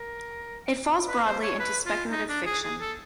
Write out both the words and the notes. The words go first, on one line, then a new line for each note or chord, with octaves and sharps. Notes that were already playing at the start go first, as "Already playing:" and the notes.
It falls broadly into speculative fiction.
Already playing: A#4
B4
C5
C#5
B4
F4
D#4
D4
G#4
G#4
A4